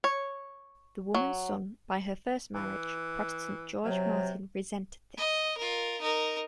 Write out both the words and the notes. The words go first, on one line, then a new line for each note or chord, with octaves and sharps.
The woman's son, by her first marriage, Protestant George Marten, resented this.
C#5
F#3
E3
C3 F#3
D#5
F4 A#4
D#4 A#4